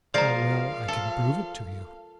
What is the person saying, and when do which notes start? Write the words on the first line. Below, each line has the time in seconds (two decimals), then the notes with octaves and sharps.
How well I can prove it to you!
0.14 F3 G#3 F4 A#4 D5 F5 A#5
0.88 A4